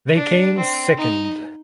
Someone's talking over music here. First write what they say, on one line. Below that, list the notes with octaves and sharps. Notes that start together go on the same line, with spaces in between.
They came second.
D4
C4
D#4